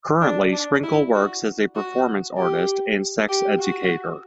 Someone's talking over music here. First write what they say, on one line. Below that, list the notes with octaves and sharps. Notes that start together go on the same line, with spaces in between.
Currently, Sprinkle works as a performance artist and sex educator.
D4
D4
E4
F#4
F#4
G4
G4
F#4